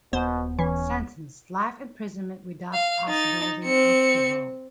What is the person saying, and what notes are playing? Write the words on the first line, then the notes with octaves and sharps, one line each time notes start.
Sentence: Life imprisonment without the possibility of parole.
D#1 B2 B3 C5
E3 C#4
F5
D#4 A6
C4 C#7